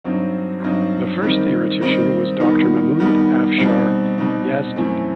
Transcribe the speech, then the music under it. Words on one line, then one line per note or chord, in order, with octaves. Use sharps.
The first theoretician was Doctor Mahmoud Afshar Yazdi.
G2 F#3 C4 D#4
G2 F#3 C4 D#4
D#3 G3 C4 D#4
D#3 G3 C4 D#4
D#3 G3 B3 D#4
D#3 G3 B3 D#4
B2 G3 C4 D#4
B2 G3 C4 D#4
F#2 E3 A3 C4